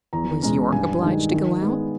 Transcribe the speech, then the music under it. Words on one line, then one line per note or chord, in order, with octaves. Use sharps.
"Was Yorke obliged to go out?"
E2 A#5
B2 G#3 C#4 A#5
G2 G#5
D#3 G#3 D#4
D#3
G#3 B3